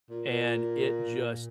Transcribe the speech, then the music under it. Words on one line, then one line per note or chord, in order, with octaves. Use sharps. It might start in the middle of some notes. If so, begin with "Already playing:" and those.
and it just
A#2
A#2